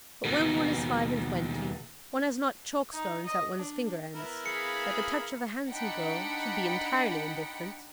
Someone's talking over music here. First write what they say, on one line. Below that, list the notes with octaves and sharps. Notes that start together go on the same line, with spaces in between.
But when one is five-and-twenty, one has not chalk-stones at one's finger-ends that the touch of a handsome girl should be entirely indifferent.
D#2 B2
D#4
D#5
D4
B3 E4 A#4
G#4 F5 B5 C#7
D4 D#4 F#5 G5 B5 C#7